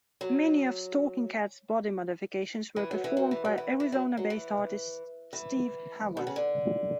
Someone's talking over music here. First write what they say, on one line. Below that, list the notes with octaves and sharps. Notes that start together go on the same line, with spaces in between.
Many of Stalking Cat's body modifications were performed by Arizona-based artist Steve Haworth.
F#3
E3
F#3
E3
F#3
E3
F#3
E3
E3
F#3
F#3
E3
E3
B2
C#3
D3